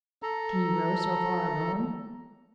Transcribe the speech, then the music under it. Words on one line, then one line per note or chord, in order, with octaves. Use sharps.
"Can you row so far alone?"
A4 A#5